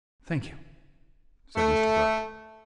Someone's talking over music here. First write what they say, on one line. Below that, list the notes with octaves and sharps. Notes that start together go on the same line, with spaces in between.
"Thank you," said Mr. Grafton.
A3